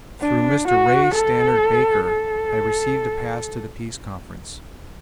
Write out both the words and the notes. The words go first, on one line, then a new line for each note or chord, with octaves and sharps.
Through Mr. Ray Stannard Baker I received a pass to the Peace Conference.
D4
F#4
A4
A4